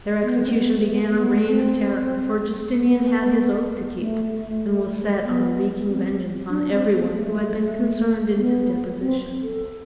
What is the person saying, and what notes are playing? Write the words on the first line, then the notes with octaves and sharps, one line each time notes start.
Their execution began a reign of terror, for Justinian had his oath to keep, and was set on wreaking vengeance on every one who had been concerned in his deposition.
B3
C4
B3
A3
B3
A3
B3
C4
B3
A3
A3
B3
C4
D4
C4
B3
A3
B3
C4
A4